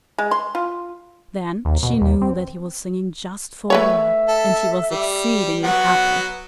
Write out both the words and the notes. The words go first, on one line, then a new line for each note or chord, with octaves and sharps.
Then she knew that he was singing just for her, and she was exceedingly happy.
G#3
C6
F4
D#2
B2
D#2
C4
A3 B4 C#5 E5
A4
G3
F#3 B3 F#4 F#5